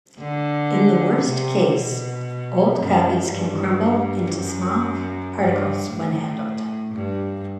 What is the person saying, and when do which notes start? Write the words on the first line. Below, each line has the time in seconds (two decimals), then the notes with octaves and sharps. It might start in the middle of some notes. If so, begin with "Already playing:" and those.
In the worst case, old copies can crumble into small particles when handled.
0.19 D3
1.23 C3
1.75 B2
2.79 F#2
3.31 G2
4.35 F#2
5.38 G2
5.90 A2
6.94 G2